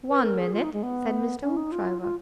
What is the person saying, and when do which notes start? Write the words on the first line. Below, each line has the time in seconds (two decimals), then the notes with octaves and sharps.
"One minute!" said Mr. Hoopdriver.
0.09 B4
0.24 A#4
0.39 G#4
0.53 F4
0.64 D#4
0.73 G#3
0.83 B3
1.42 C#4
1.57 D#4
1.72 F4
2.02 F4